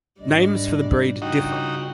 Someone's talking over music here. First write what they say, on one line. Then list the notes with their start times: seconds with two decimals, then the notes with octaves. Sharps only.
Names for the breed differ.
0.21 G#1 G3 D4 D5 D#5
1.22 G2 C#3 D#4 F4 F#4 G5